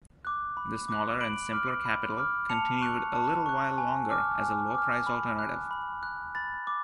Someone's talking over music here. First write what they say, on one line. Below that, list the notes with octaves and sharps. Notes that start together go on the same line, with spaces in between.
The smaller and simpler Capital continued a little while longer as a low-priced alternative.
D6 F#6
B5
D6 F#6
B5 D7 F#7
D6 F6
B5
D6 F6
A5 C#7 F7
C#6 F#6
A5
C#6 F#6
G#5
D6 F6
G#5
D6 F6
B5
F#6
B5
F#6
B5 A6
D6